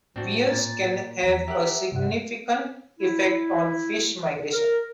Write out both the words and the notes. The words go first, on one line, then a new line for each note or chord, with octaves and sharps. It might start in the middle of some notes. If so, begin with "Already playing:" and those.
Weirs can have a significant effect on fish migration.
A2 C4 D4 F#4
A#2 A6
E2 F3 A#5 B6
G4 A#4 E5 F#5
G2 C3 F#5
E4
A#4